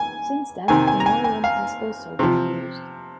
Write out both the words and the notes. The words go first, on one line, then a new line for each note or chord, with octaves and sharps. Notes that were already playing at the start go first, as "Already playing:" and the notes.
Since then, Comorian has also been used.
Already playing: G#5
C3 D#3 G#5
G#5
A#5
G#5
G#5
F5
C3 F3